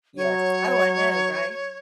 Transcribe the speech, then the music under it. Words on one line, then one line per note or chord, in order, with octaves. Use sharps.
Yes. Oh, I know. Right?
F#3 C#5